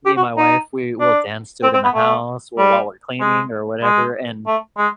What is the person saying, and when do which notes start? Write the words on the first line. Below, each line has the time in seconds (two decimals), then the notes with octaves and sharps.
me and my wife, we will dance to it in the house, we'll while we're cleaning or whatever, and
0.06 G4
0.17 F#4
0.37 D#4
1.00 D4
1.63 C4
1.74 C4
1.84 B3
1.95 A3
2.58 G3
3.21 G#3
3.83 G#3
4.47 A3
4.78 G#3